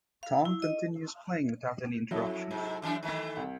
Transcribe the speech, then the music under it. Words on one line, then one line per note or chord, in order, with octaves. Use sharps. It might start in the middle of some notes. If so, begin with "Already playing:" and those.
Tom continues playing without any interruptions.
F5
E4
D#5
F2 F#3 E4 A4
G#2 C3
F#2 E3 D4
D#3 E3 A3
C2